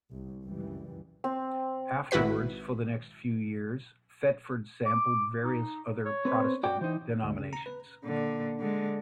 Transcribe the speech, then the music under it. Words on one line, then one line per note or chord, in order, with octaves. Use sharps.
Afterwards, for the next few years, Thetford sampled various other Protestant denominations.
C2
C#2 F#2 E3 G3
C4
G#1 E4 F#4 B4 B6
D6
D#4
C#5
C4 B4
F#4 D5 G5
E3 D#4 C5
D2
C#3
A#5
B4
A#2 D3
D3 G#3